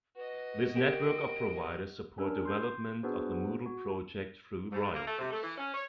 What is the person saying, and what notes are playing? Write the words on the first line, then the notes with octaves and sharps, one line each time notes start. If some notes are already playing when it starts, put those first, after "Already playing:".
This network of providers support development of the Moodle project through royalties.
F#4 B4 D#5
G4 A#4 G5 D7
C#4 D4 A#4 E6
C6 G6
B3 D4 F#4 G#4 B4 C5
F#4
G#2
A#3
A3
C3
A3
E3
C#4
C#5